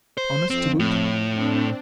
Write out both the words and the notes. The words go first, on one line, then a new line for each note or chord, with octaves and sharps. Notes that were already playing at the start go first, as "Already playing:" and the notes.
Honest, to boot.
C5
F2 C4
A2
C4 D4